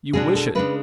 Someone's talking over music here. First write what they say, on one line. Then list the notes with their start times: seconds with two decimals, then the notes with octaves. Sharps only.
You wish it.
0.13 B2 G#3 D4 G#4
0.35 A4
0.55 C#3 G#3 D4 B4